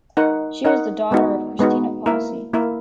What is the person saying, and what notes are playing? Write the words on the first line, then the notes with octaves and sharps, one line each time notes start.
She was the daughter of and Christina Posse.
D#4 A#4 D#5 F#5
D#4 A#4 D#5 F#5
G#3 B3 D#4 F#4
G#3 B3 D#4 F#4
A#3 E4 A#4 E5
A#3 E4 A#4 E5